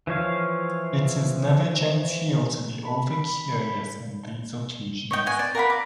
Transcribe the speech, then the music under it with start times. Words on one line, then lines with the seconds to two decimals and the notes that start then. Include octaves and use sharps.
It is never genteel to be over-curious on these occasions.
0.07 E3 F3 C#5 F5
2.84 B5
5.11 C#5 D#5 G5
5.26 F#5 G#5
5.39 D5
5.55 A#4 F5 F#5 B5
5.70 D6